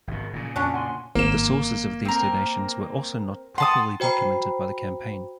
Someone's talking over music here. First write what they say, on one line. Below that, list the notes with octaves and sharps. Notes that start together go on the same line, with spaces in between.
The sources of these donations were also not properly documented by the campaign.
G#1 B2
A#2 C#3
F2 F#3 C#4 D4
F#5 G#5 C6
G#1 A#3 E7
C4 A#4
F#5 A5 C6 D#6
F#4 C5 G5 A#5 B5